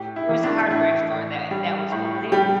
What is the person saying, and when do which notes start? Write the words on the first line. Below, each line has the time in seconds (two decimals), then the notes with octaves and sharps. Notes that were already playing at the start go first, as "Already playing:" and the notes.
It was a hardware store that that was opening.
Already playing: A2 G4
0.16 E4
0.29 E3
0.43 D4
0.70 A2 E4
1.10 A2
1.51 G3
1.92 A2
2.32 G3 G4